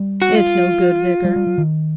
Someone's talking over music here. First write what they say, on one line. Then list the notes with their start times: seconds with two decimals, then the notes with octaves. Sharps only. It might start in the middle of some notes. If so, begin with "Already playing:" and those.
'It's no good, Vicar.
Already playing: G3
0.22 F#4
0.35 F4
1.25 G3
1.36 G3
1.47 F#3
1.58 D#3